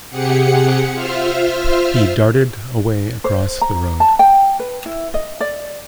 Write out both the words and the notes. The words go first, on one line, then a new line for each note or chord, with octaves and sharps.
He darted away across the road.
C3 G4 G#4 F#5 C#7
F4 C5 E5 F6
C5
A#5
A5
G5
B4
E4
D#5
D5